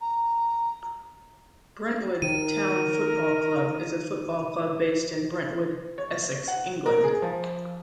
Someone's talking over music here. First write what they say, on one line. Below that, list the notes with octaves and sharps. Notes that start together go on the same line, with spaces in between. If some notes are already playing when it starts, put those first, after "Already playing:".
Brentwood Town Football Club is a football club based in Brentwood, Essex, England.
A#5
D#3 A#4 D#7
C#5
F#5
A#4
G#4
F3